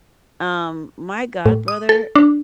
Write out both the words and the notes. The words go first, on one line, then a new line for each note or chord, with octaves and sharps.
um, my godbrother
A2
D#6
A4
D4